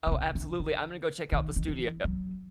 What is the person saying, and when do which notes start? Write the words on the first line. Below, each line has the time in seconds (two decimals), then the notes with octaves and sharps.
Oh, absolutely, I'm gonna go check out The Studio.
0.07 C3
0.12 C#3
0.35 D3
0.60 D3
1.32 D#3
1.56 D#3
1.68 E3
2.04 F#3